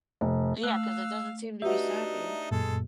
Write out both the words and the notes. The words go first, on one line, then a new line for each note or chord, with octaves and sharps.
Yeah, 'cause it doesn't seem to be stopping.
F1
A3 F5 E6 F#6
D4 D#4 F#4 G4 B4 D#5 E5
F#2 A#2 G#3 A4